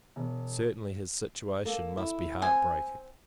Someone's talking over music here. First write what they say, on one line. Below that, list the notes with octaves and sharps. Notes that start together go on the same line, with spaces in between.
Certainly, his situation must be heart-breaking!
E1
A#3 A4
E4
C4 G#5